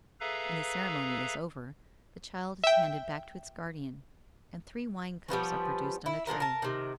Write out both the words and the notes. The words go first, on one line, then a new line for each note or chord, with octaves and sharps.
When this ceremony is over, the child is handed back to its guardian, and three wine-cups are produced on a tray.
G#4 A4 B4 E5 F5 A#5
E5 G5
F3 G3 B3 C#4
E4
D3 F3 B3 A#4
A#4 A5
C3 D#3